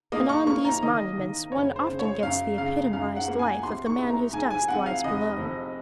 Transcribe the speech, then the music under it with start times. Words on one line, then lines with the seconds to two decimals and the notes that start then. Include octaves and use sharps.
And on these monuments one often gets the epitomized life of the man whose dust lies below.
0.12 A#3 D#5
0.29 C#6
0.47 A#3 C#6
0.65 A#5
0.82 D#3 D#5
1.17 D#3 D#5
1.52 F#1 C#5
1.76 C5
1.88 C#3
1.99 C#5
2.23 F#2 F5
2.58 C#3 F5
2.93 F#2 F5
3.16 F#5
3.28 A#3
3.39 G#5
3.63 C2 C6
3.86 C#6
3.98 C2
4.10 A#5
4.33 G#2 G#5
4.51 G#5
4.68 C4 F#5
4.86 F5
5.04 F1 D#5
5.39 F2